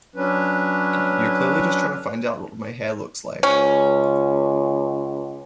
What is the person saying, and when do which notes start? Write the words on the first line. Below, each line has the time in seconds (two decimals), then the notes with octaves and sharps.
You're clearly just trying to find out what my hair looks like.
0.16 F#3 C#4 D4 B4
3.43 C#2 C#4